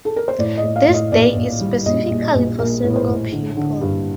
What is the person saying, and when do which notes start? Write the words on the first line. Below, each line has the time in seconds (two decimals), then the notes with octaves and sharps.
This day is specifically for single people.
0.05 A4
0.16 A#4
0.28 C5
0.38 A2 D5
0.58 D#5
0.63 A2
0.76 F5
0.88 A2
0.94 D#5
1.12 A#1 D5
1.36 A#1
1.61 G3
1.85 A#1 D#5
2.10 A#1
2.22 D#5
2.35 A#1
2.59 A#1 A#4
2.84 A2
2.96 C5
3.08 A2
3.32 D3
3.57 D3
3.81 G2